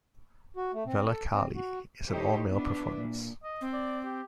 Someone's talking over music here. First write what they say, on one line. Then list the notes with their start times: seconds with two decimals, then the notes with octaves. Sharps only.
Velakali is an all-male performance.
0.57 F#4
0.74 A3
0.85 C4
1.06 A4
1.32 C4
1.55 F#4
2.08 D#4 E4 G4 A4 C5 C#5
2.50 B3 D4 E4 B4
2.98 A#2
3.44 D#5
3.61 C4
3.73 D5
4.05 G4